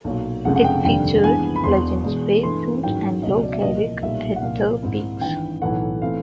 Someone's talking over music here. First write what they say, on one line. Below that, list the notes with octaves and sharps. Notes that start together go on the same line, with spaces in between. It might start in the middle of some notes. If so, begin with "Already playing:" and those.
It featured legends Babe Ruth and Lou Gehrig at their peaks.
B1 A#2 F#3
F1 F2 C#3 F3 G#3 F#5
F#5
G5
F1 D#2 D3 G3 G5
G2 E3 G#3 B3 G#5
B5
E1 E2 B2 C6
E2 B2 G#3
G2 E3 A3 C6
A1 G#2 D#3 F#3 G5
C#2 B2 F#3 D#5
D5
E5
C2 A#2 F3 A#3 D#5
B1 A#2 G3 E5
F#5
C2 A#2 F3 F5
G#2 D#3 G#3 C4 E4
G#1 G2 E3 G5
B1 A2 E3 A3 F#5
E3 A3 C4 F5